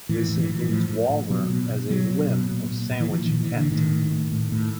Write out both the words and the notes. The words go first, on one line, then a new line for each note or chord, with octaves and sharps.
This includes Walmer, as a 'Limb' of Sandwich, Kent.
A2 E3
A2
E3
A2
E3
A2 F3
A2
A2
B2 F#3
B2
B2
B2 F#3
B2
B2
A#2
A#2
A#2
E3
A#2 F3
A#2 D#3
E3
A#2
D3
A2 D#3
A2
A2
A2
A2